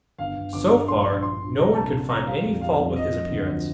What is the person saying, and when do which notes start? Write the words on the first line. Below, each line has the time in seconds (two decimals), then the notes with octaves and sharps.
So far no one could find any fault with his appearance.
0.18 G1 F5
0.36 G1
0.53 G1 D6
0.71 G1
0.88 A#1 C6
1.06 A#1
1.22 F3 C6
1.40 A#1
1.58 C2 A#5
1.75 G3 A5
1.92 C2
2.09 A#2 A#5
2.26 G3 F5
2.44 F2
2.61 G3 F5
2.79 F2
2.96 F3 D#5
3.13 F3
3.30 D2
3.48 F3